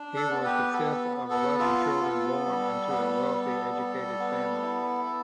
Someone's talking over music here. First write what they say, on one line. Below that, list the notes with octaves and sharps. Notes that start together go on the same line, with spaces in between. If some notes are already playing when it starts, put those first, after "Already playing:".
He was the fifth of eleven children born into a wealthy, educated family.
Already playing: D4
A4
B3
G4 B4
B3 A4
B3
A4
F4 A4
B3
G3
B3
G3
G3
B3
E4
B3